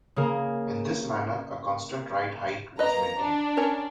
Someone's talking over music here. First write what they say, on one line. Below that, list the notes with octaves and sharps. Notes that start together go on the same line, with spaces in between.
In this manner, a constant ride height was maintained.
C#3 A#3 G#4 A#4
A#3 B4 D#5 A#5
D4
C#4 A#4 C#5